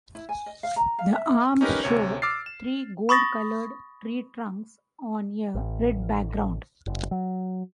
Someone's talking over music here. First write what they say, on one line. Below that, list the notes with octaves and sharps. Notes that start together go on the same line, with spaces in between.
The arms show three gold-colored tree trunks on a red background.
E4
G#5
D#5
F5
A#5
F5
E5
C#4 D#4 G4 A#4 B4
D2 C3 C#5
D6 E6 F6 A6 C7
E7
B5 C#6 D#6 A6 A#6
A1
F#1
F#3